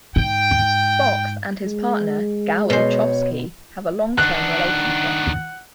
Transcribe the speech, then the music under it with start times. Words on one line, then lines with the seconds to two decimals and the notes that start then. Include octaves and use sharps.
Fox and his partner, Gal Uchovsky, have a long-term relationship.
0.16 G#2 G5
1.65 G#3
2.70 B2 C5 C#5
4.18 D#3 D4 F#5 F#6